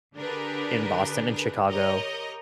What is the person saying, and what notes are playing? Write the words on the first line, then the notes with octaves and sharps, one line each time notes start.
in Boston and Chicago,
D3 D4 G4 G#4 A#4 B4
G4 A#4 C#5 D#5 A#5